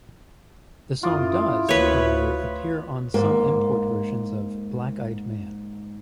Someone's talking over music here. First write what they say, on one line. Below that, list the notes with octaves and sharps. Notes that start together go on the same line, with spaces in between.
The song does, however, appear on some import versions of "Black Eyed Man".
F#2 E4 F4 D6 D#6
D2 B4 C#5
G#2 A#3